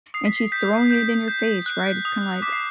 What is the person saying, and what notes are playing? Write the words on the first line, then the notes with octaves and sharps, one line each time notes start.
and she's throwing it in your face, right, it's kinda like,
D#6 C7
B6
C7
G6 B6
G6
G6
F#6
D#6
D6 B6
C7